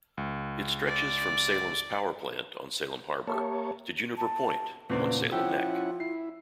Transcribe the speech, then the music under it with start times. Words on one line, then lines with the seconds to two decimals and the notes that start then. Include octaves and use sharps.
It stretches from Salem's powerplant on Salem Harbor to Juniper Point on Salem Neck.
0.17 C#2
0.87 D5
3.27 A#3 G4 C#5 E5 A5
4.17 A5
4.90 E2 A#2 C#3 A3 C4 D4 B4
5.32 F3 C#4 E4 F4 G4 F#5 E6
6.00 E4 C7